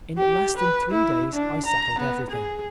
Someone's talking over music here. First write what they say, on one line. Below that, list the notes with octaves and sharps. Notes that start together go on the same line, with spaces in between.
In less than three days I settled everything.
G4
B4
E4
D4
A#5
B3
G#4